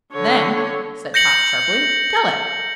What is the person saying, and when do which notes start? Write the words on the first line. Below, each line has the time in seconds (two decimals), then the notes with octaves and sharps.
"Then," said Tot, sharply, "tell it!"
0.13 D3 C#5
1.14 G6 A#6 C#7 F#7